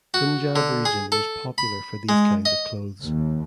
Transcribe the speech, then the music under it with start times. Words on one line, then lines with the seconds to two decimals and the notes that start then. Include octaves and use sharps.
Punjab region was popular for these kind of clothes.
0.14 F#4
0.56 D3
0.85 G#4
1.12 A4
1.58 B5
2.09 G#3
2.45 D#5
3.01 D#2